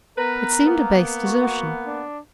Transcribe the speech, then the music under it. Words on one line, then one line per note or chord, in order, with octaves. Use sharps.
It seemed a base desertion.
B3 A#4 B4 A#5
A#3 B3
F#4
D4